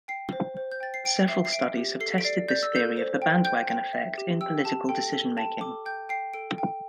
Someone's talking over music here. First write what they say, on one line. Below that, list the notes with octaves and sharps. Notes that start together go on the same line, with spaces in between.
Several studies have tested this theory of the bandwagon effect in political decision making.
G5 C7
C5
C5
G6
G5 A6
C7
G5 D7
E5 C7
C7
E5 D7
G4
A4 C7
D7
D5 C7
D5 G6
E6
A4 G6
C5
G5
G5 G6
G5
E5
G4
G5 E6
G4 A5
A4 G5
A4
G5 A5
A4 D6
G5 G6
G5 C7
A4 D7
G5